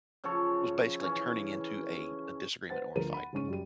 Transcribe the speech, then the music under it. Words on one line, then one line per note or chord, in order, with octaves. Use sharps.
was basically turning into a a disagreement or a fight,
C#3 F3 A4 C#5
E3 C#4
B4 C5 F#5 A6
D2 F3 A#4 D#7
F#5 B5
F#1 G#2 C#4 C#6 D#7
F#2 G3 D#7